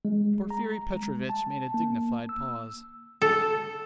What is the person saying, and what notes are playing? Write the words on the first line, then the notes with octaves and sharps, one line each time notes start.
Porfiry Petrovitch made a dignified pause.
G#3
A#5
G#3
A5
A#3
E6
A4